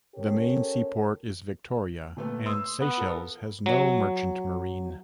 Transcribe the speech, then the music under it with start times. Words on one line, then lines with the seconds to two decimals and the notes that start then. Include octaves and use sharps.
The main seaport is Victoria, and Seychelles has no merchant marine.
0.15 C#4 G4 A4 A#4 C#5
2.17 A#2 A3 B3
2.46 C6 D#6 E6
2.80 B3
2.98 F4 A4 A#4
3.66 F#3